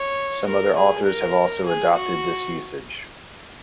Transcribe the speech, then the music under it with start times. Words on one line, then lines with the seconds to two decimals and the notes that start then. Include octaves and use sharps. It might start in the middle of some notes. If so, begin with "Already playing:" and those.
Some other authors have also adopted this usage.
Already playing: C#5
0.47 A#4
0.77 G#4
1.06 A#4
1.66 G#4
1.96 F#4